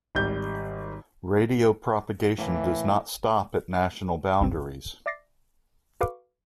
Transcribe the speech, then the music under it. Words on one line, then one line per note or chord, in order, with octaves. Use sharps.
Radio propagation does not stop at national boundaries.
G#1 G3 G6
A2 E3 A#3
G1 C2 G2 B2 C4
D5 E5 D6 A6 A#6 C7
F#4 A4 B4 F5 C#6 D6